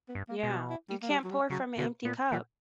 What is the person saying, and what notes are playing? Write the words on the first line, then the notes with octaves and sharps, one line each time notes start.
Yeah. You can't pour from an empty cup.
B3
G2
A#3
B2
G3
E4
G3
A#3
G3
F#3
G3
C#3 F#3
B2 D3
A#2 B3
A#2 E3